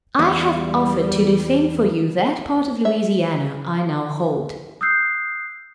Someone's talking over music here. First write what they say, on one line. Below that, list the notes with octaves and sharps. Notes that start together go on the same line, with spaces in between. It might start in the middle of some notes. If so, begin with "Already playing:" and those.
I have offered to defend for you that part of Louisiana I now hold.
E2 G3
E5
D#6 E6 F#6 G6 C7